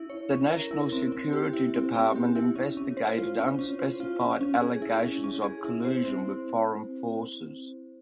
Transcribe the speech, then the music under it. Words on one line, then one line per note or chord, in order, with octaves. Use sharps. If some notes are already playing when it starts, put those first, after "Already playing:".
The national security department investigated unspecified allegations of collusion with foreign forces.
Already playing: C#4 E4
C#5
C#4
A#4
E4
C4
C4
G4
E4
C4
C4
G4
E4
C#4
C#4
C5
F4
C#4
C#4
C5
F4
C#4
C#4
G#4
E4
C#4
C#4
G#4
E4
C5
C4